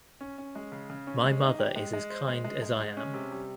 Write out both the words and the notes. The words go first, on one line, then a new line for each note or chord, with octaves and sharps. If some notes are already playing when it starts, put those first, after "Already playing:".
My mother is as kind as I am.
C#4
C#4
G#3
C#3
C#3
C#4
G#3
D#4
G4
G#3
G#3
C5
G#3
G#3
G#3
G#3
C#4
C3
G3